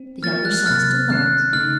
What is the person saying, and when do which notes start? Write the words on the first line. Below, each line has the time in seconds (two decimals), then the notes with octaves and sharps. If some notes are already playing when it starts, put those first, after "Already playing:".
The younger sons do not.
Already playing: C4
0.23 F3 A#3 F4 F6 A6
0.45 F#6
0.66 C3 F#3 A#3 F6 A6
1.10 C3 D#3 A3 C#4 F#6
1.53 C#3 A3 D#4 F6